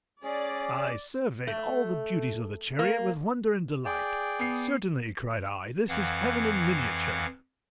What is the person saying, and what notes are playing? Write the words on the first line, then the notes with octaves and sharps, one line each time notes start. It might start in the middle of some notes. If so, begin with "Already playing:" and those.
I surveyed all the beauties of the chariot with wonder and delight. "Certainly," cried I, "this is heaven in miniature!"
C#4 G#4 D5
A3
A#3
G#4 D5 G5
B3 C7
F2 E3 F5 F#5